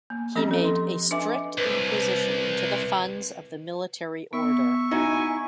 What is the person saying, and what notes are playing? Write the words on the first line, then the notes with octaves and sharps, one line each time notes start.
He made a strict inquisition into the funds of the military order.
A#3
F3 C4 C#4 G4 D#5
A4
C6
D4 B4 D#5 E5 G#5 D6
C2 B4
B3 E5 C#6
D#4 E4 F#4 D#5 G#5